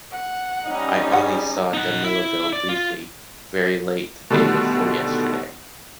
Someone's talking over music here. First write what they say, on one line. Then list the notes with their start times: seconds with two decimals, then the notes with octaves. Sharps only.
I only saw Damilaville briefly, very late the day before yesterday.
0.11 F#5
0.66 G3 C#4 D#4
1.12 F#3 G#4 F#5
1.74 D#4 F#5
2.04 E4
2.53 D5
2.69 F4
4.30 B2 D3 D#3 G3 A3